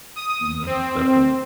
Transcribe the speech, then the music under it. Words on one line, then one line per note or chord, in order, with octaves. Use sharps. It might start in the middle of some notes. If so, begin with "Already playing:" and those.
Mhm. Definitely.
D#6
C4